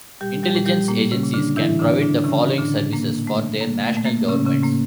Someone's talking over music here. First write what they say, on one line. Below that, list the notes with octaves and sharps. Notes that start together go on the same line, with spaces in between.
Intelligence agencies can provide the following services for their national governments.
A#2 G3 G4
G3 G4
A#2
G3 G4
A#2 A#3
C#3 C#4
A#2
D3 D4
A2 E3 E4
D3 D4
E3
D3 D4
C#3 E3 C#4
A2 D3 D4
A#2 A#3
A#2 A3
A#2 A#3
A3
A#2 A3
A#3
A2 C#3 C#4
C#3 C#4
A2 A#3